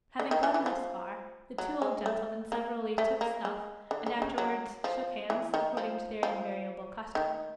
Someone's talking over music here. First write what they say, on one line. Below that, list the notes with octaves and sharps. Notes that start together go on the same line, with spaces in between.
Having gone thus far, the two old gentlemen severally took snuff, and afterwards shook hands, according to their invariable custom.
D3
D#3
E3
E3
F3
F#3
G#3
A3
A#3
A3
A#3
G#3
D3
D3
C#3
F#3
F3
E3
D#3
F3
F3
D#3